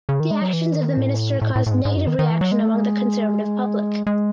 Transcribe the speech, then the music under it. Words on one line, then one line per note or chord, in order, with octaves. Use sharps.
The actions of the minister caused negative reaction among the conservative public.
C#3
D#3
G#3
F#3
E3
D#3
A2
A2
A2
A2
G#2
G#2
F#2
D#3
D#3
E3
F#3
G#3
A3
G#3
G#3